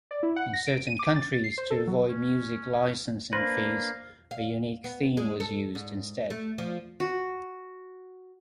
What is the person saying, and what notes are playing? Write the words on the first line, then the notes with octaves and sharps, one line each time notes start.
In certain countries, to avoid music licensing fees, a unique theme was used, instead.
D5
E4
F#5
A#6
D7
D#7
D6
A6
C7
C5
A4
F#3
C#4
A#3 D4 B4 C5 F5 A#6
F5
B3
G#3
A4
G#2
A3
F3
F#4